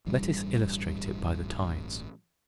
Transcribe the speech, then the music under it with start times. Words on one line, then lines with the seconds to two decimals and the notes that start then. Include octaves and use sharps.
Let us illustrate it by the tides.
0.06 A1 G2 G3